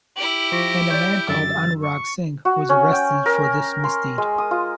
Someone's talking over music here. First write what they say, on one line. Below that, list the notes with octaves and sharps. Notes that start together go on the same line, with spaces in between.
And a man called Anurag Singh was arrested for this misdeed.
E4 G4 F#7
F3 C#6 D6 A#6
C#5 D5 G6
F#2 D3 E6 A6
C#6
F#4
C#4
G5
A#4
C6
G#3
D#6
F4